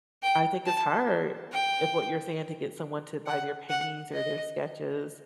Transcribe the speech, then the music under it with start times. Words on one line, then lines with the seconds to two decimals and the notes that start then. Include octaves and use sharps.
I think it's hard if what you're saying to get someone to buy their paintings or their sketches.
0.23 G5
0.65 A5
1.52 G5
3.26 F#5
3.70 F#5
4.13 D#5